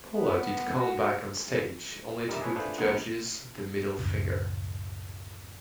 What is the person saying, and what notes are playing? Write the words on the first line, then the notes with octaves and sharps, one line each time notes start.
Paula did come back on stage only to give the judges the middle finger.
B3
F#4
G3 D#4 A#4 D5 E5
G#4 A4 B4 C#5
A3 D4 F4 G#4 B4 C5
A#1 B3 D#4 F#5
C#2 F#2 A2 C#3